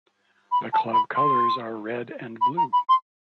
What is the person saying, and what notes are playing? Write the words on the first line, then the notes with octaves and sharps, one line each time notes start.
The club colours are red and blue.
B5
A5
B5
C6
B5
A#5
B5
C6